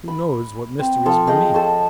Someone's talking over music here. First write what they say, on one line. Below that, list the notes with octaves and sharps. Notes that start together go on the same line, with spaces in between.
Who knows what mystery's beneath?'
B5
C4
F3 A4 C6
G#4 D#5 F5 G5
A4 C5 C#5